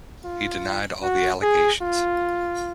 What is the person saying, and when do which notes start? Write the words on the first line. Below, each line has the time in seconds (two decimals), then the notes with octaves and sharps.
He denied all the allegations.
0.24 F4
1.03 F#4
1.42 G#4
1.82 F4